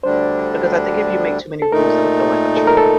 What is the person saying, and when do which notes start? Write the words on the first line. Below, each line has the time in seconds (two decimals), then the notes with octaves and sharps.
because I think if you make too many rules, it'll feel like a chore.
0.03 D2 D3 G3 D4 C5
1.62 A4
1.72 A#2 A3 D#4 A#4
2.57 A4
2.67 A#4
2.77 A4